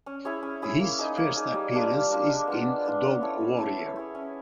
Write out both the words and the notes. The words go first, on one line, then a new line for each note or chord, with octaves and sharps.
His first appearance is in "Dog Warrior".
C#4
E4 G#4 C#5
C#4
E4 G#4 C#5
A#3
D#4 G#4
A#3
D#4 G#4
G3
A#3 D4 F4
G3
A#3 D4 F4
G#3
B3 D4 F4
G#3
B3 D4 F4
C#4
E4 A4 C#5
C#4
E4 A4 C#5
C#4
E4 G#4 C#5
C#4